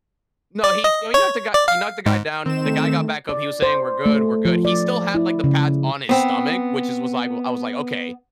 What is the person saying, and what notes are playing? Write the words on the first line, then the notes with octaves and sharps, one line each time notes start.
No he you know, he knocked the guy he knocked the guy down, the guy got back up, he was saying, "We're good, we're good." He still had, like, the pads on his stomach, which is was like well I was like, "Okay,
D5
D#5
C#5
D5
F5
G#2
D#3 C4 E7
A3
D5
C5
A3
F3
D5
E4
C#3
B3 C4